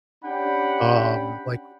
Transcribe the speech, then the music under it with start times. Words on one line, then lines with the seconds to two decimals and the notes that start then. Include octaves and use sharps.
um, like,
0.24 C#4 D4 G4 F#5 G5 B5